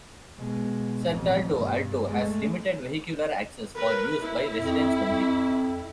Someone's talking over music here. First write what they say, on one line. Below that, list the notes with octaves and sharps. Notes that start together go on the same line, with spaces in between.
Certaldo Alto has limited vehicular access, for use by residents only.
B2 G#3
A1 F2
G2 B2
G#3 A3
A#4 B4
E4
F2
F2